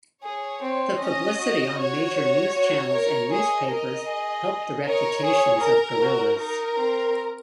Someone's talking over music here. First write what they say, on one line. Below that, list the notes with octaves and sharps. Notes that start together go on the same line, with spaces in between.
The publicity on major news channels and newspapers helped the reputations of gorillas.
G#4 C#5
C4
C#4 D#5
F#4
F#4 C#5
F#4
A#4
G#4 D#5
A#4
G#4
A#4 C#5
G#4
A#4
F#4
D#4 A#4
C4